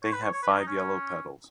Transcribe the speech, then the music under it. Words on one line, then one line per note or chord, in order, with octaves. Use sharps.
They have five yellow petals.
C#5
B4
C#5
C#5
B4
C#4
D#4
C#4